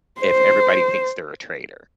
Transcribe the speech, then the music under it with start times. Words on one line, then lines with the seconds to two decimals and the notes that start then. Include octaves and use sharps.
if everybody thinks they're a traitor.
0.20 C5